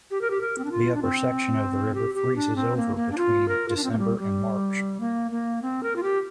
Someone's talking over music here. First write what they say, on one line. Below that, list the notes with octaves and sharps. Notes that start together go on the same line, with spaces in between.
The upper section of the river freezes over between December and March.
G4
A#4
G4
A#4
C4
D4
F4
D4
C4
G4
G4
D4
C4
A#3
A#3
D4
F4
A#4
F4
D4
C4
A#3
G3
G3
A#3
A#3
C4
A#4
F4
G4